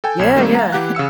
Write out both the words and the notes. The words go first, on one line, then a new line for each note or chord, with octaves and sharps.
Yeah, yeah.
A4 G5 G#5
B1 G#6 E7
D#3 G3 A3 A#3 C4 D#4
F5 A#5
E3 G4 F#5 F#6
C#3 F5 E6 C#7